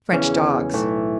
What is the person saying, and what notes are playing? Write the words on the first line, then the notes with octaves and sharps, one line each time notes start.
"French dogs!"
E2 C#3 E3 C#4
B1 A2 E3 A3